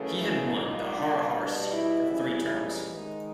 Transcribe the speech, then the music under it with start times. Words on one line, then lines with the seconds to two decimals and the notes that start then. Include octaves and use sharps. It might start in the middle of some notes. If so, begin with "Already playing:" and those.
He had won the Harihar seat for three terms.
Already playing: F#2 C#3 E3 A3
0.18 E4
0.56 A#2 G3 D#4
0.95 D4
1.33 B2 G3 D4
1.72 E4
2.10 F2 C#3 E3 G3 E4
2.49 D#4
2.88 G#2 D#3 G#3